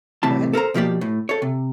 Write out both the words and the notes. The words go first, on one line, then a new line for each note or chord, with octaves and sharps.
Go ahead.
A2 C3 E3 A5
A4 A#4 C5 A#5
B2 F3 A#3 G4 D5
A2
A4 C#5
C3